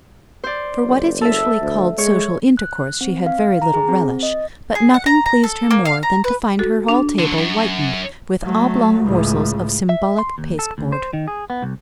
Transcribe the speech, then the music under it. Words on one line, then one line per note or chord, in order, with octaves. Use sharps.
For what is usually called social intercourse she had very little relish; but nothing pleased her more than to find her hall-table whitened with oblong morsels of symbolic pasteboard.
C5 D5
F#1
A4 E5
D2
G#3 C#5
F#6
C4
F5
A#5
G#4
C4
D#5
G#4
F#5
A#5
A#5
A4
A#3
F5
A#5
B4
F#4 A4
D4
D3 F#3
F#2
F#3 A3
C#2 A2
E5
C6
D#2
A4
D2
C5
D#3
G#4
B3
C2